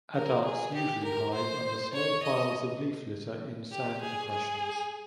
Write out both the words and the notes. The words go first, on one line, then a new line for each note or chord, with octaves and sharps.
Adults usually hide under small piles of leaf litter in sand depressions.
A#4
G#4
G4
A#4
C5
C#5
D#5
G4
G#4
G#4